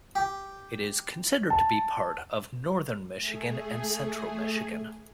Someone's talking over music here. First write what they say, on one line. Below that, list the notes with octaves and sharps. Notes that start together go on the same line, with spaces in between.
It is considered to be part of Northern Michigan and Central Michigan.
G4
A5
A3 G#4